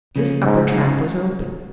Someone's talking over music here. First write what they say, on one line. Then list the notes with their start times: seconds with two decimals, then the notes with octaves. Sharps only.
This upper trap was open.
0.16 C#3 F3 A#3 C#4
0.43 C#2 G#2
0.72 C#3 G#3 D#4